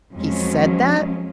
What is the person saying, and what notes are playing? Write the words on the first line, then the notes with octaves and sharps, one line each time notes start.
"He said that?"
F2 F3 F#3 G#3 C#4